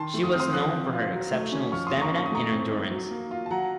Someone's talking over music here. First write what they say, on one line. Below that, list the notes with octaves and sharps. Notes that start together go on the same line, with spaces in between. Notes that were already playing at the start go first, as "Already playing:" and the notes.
She was known for her exceptional stamina and endurance.
Already playing: D#3 A5 C6
A3
D#6
C4 F6
C6 D#6
F3 D#6 F#6
C4
F4
F#3
A3
C#4
F3 C#6 F6
C6 D#6
A#3
A#5 C#6
C#4
C#6
D#6
A3 A#5 C#6
C4
D#4
F#3
A#3
F4
A5
F#3 F#5 A#5